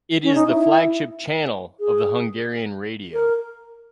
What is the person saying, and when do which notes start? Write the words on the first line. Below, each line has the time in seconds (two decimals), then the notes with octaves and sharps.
It is the flagship channel of the Hungarian Radio.
0.23 C#4
0.35 D#4
0.47 E4
1.79 G#4
3.12 A#4